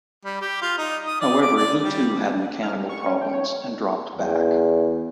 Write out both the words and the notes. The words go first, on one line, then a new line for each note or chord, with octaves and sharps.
However he too had mechanical problems, and dropped back.
G3
G4
F4
D#4
D#6
D5
D6
D5
G3
F6
G3
C#6
C#4
G5
C#5
E2